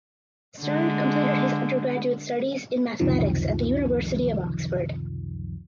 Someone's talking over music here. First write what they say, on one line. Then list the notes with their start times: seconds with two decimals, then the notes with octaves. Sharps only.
Sterne completed his undergraduate studies in mathematics at the University of Oxford.
0.62 D3 G#3
3.00 C#2 F#2 C3 D#3 F3